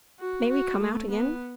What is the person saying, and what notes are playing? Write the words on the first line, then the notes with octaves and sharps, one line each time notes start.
May we come out again?
F#4
F#4
A3
B3